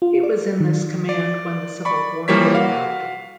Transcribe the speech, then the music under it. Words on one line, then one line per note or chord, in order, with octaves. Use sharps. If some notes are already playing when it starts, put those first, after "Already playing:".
He was in this command when the Civil War broke out.
F4
D5
D#3
D5
D5 B5 C#6
E3 F3 G3 A#3 C#5 B6
F#4 F5